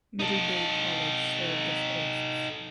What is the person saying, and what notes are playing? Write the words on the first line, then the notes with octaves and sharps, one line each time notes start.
Middlebury College served as hosts.
D#4 A4